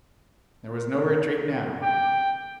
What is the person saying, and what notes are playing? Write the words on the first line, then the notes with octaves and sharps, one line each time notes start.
There was no retreat now.
G5